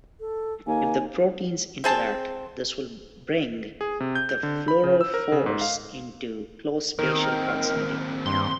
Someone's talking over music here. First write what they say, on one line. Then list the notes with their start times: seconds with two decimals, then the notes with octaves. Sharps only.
If the proteins interact, this will bring the fluorophores into close spatial proximity.
0.20 A4
0.67 D#2 A#3 G#5
1.84 C4 G#4 A5
3.81 G#4
4.00 C3
4.15 G6
4.29 G6
4.43 D3
4.68 B5
4.84 C#3
5.01 E6
5.14 A#4
5.32 C#3
5.46 G#2
5.61 F5
6.99 D#2 D#3 C4 A#4
8.26 G2 C6